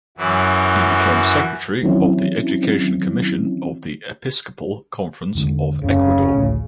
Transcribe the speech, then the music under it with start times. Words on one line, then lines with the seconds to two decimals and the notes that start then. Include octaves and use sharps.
He became secretary of the Education Commission of the Episcopal Conference of Ecuador.
0.18 F#2 E3 F#3
1.83 D#3 E3 F#3 C4 C#4 E4
5.35 E2 D3 G#3
5.82 D#1 F#2 C#3 C#4
6.33 A1 D2 A2